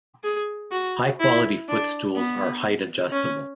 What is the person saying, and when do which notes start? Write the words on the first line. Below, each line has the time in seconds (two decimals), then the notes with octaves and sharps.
High quality footstools are height-adjustable.
0.24 G#4
0.72 F#4
1.20 E4
1.68 D4
2.16 B3
3.12 C#4